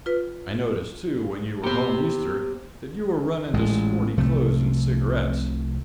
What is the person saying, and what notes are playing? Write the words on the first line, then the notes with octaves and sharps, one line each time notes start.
I noticed, too, when you were home Easter, that you were running to sporty clothes and cigarettes.
F4 B4
A#3 B3 G4 C5
A1 A#2 G#3
C2 C3 F3 A3